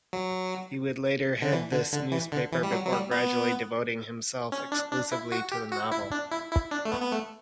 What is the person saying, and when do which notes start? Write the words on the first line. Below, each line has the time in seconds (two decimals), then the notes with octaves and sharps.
He would later head this newspaper before gradually devoting himself exclusively to the novel.
0.13 F#3
1.42 D3
1.52 E3
1.72 D3
1.93 D3
2.12 E3
2.32 D3
2.52 E3
2.63 G3
2.72 F#3
2.85 F#3
2.92 G3
3.11 B3
4.52 C#4
4.72 D4
4.92 D4
5.12 E4
5.32 F#4
5.52 G4
5.72 F#4
5.92 E4
6.11 D4
6.32 E4
6.52 E4
6.71 D4
6.85 A3
6.92 B3
7.02 B3
7.12 A3